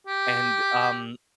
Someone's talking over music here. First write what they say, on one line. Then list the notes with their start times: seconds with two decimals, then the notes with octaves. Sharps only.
and, um,
0.07 G4